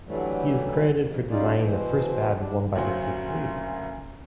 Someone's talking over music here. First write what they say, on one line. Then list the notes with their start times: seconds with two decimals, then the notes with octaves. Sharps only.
He is credited for designing the first badge worn by the state police.
0.07 D3 E3 F#3 G3 A3
0.95 F2
1.30 G3 C#4 D#4 F4 G#4 D5
1.58 B2 E3 C5
2.39 G3 D4
2.75 F#1 D2 F#3 F#4 C5 F5